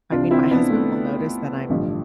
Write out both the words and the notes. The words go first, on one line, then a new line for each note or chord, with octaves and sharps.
I mean, my husband will notice that I'm
C2 C3 E3 D4 F4
C4 E4
B3 D4
A3
A1 G2 D3 F3